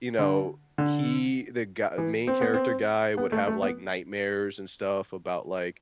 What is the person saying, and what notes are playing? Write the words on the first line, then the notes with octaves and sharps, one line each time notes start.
you know, he the gu main character guy would have, like, nightmares and stuff about, like,
D3
D3
E3
C4
B3
C4
B3
A3
A3
B3